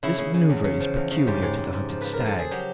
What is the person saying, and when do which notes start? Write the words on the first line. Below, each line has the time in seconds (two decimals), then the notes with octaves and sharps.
This manoeuvre is peculiar to the hunted stag.
0.03 C#3 E4
0.18 C#3
0.34 C#3
0.49 E2
0.64 C#3
0.80 F3
0.96 E2
1.11 C#3
1.27 G#2 G4
1.42 G#2
1.58 G#2
1.73 G#2
1.89 F3
2.01 F3 B4
2.13 A#4
2.20 F3
2.26 A4
2.36 F3 G#4
2.51 F#3 G4